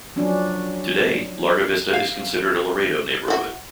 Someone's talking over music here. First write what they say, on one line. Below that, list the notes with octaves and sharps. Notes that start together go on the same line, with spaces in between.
Today, Larga Vista is considered a Laredo neighborhood.
F3 F#3 C#4 D4
F5
E4 F#4